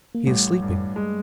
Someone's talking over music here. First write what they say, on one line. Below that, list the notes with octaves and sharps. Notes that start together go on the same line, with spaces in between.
He is sleeping.
A#3
A1 G3 A3
G2
G#3